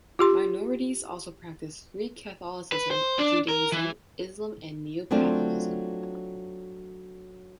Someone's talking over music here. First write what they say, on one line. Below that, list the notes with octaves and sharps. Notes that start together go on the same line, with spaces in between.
Minorities also practice Greek Catholicism, Judaism, Islam and Neopaganism.
F4 G4 C6
B4
C5
D4
A#4
E3
F#3 A3 C4 D4 F4